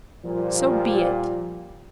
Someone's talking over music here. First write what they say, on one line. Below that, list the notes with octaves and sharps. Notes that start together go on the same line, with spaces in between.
So be it!
A#2 F3 G3